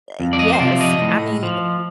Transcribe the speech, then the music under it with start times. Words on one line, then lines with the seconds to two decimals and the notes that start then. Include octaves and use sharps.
Uh, yes. I mean
0.20 F2
0.33 D5
0.39 D#5
0.53 C5
0.60 C3 F3 D5
0.81 D#5
1.01 A2
1.43 F3